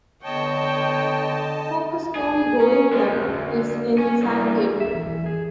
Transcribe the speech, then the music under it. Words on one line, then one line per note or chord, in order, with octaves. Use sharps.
Folkestone Rowing Club is in Sandgate.
D3 B3 C#5 D#5 G5 A5
G#4
C#4
G3 G#3
D2
C#4
E2 G2
E5
E3
G#4